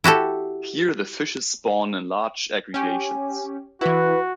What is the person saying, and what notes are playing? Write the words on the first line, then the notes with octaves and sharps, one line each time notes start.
Here, the fishes spawn in large aggregations.
E4 F#4 G4 A4
C#4 G4 G#5
E3 E4 F#4 B4